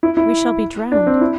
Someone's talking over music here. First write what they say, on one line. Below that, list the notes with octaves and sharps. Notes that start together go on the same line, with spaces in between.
We shall be drowned!
E4
E4
D4
C4
E4